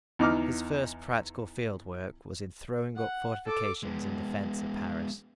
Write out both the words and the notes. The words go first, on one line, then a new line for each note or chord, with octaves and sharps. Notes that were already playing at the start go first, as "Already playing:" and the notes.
His first practical field work was in throwing up fortifications in defence of Paris.
E2 D#4 D6 F6
F#5
A4 D6
G#3 B3